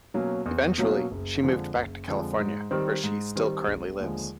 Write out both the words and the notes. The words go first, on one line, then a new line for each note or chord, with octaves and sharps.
Eventually, she moved back to California, where she still currently lives.
B2 F#3 A#3 C#4
E2
B2 F#3 A#3 C#4
F#1
F2 D3 F3 G#3
F#1
F2 D3 F3 G#3
G#2
D#3 G3 C4
G#2
D#3 G3 C4
E1
D#2 D3 F3 G#3